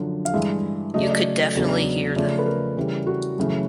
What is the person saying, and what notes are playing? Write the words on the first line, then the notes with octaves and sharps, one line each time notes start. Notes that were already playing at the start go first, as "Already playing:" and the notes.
You could definitely hear them.
Already playing: F#2 D3 F3
F5
G2 E3 G#3 E5
C#3 F#3 A3 D#5
D5
D#5
E2 C#3 F#3 B3 D4
C#3 F3 A3 D5
B4
A#4
C#3 E3 G3
F#4
F#2 C#3 E3 A3